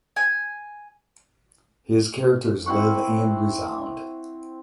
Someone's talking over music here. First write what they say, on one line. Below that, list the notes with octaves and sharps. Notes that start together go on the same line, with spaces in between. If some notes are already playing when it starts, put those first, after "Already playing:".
His characters live and resound.
G#5
C4 E4 F#5 C#6